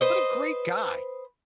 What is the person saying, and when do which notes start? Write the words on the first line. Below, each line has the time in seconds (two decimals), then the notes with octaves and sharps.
What a great guy.
0.01 B4 C5 D#5